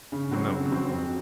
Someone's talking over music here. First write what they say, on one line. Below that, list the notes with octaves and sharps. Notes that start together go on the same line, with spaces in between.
"The moon."
C#3
F#3 C4 F#4
C#3
F#3 C4 F#4
F2